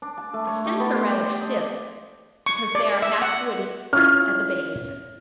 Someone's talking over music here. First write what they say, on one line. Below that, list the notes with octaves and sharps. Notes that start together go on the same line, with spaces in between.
The stems are rather stiff, because they are half woody at the base.
D4
A5
A3
C#5
G4
B3
C5
G4
D5
D#5
C#6
D5
E5
F#5
C#4 E4 F4 F6